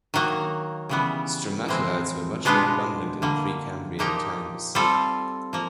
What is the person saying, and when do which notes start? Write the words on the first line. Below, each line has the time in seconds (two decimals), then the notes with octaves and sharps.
Stromatolites were much more abundant in Precambrian times.
0.14 D#3 F#3 A#3
0.89 C#3 E3 G3 B3
1.68 A2 E3 G#3 C4
2.45 B2 G#3 B3 D4 F4
3.22 D3 G3 A#3
3.99 A#2 F3 A#3 D#4 G4
4.75 G3 C4 F4 A4
5.53 F3 A#3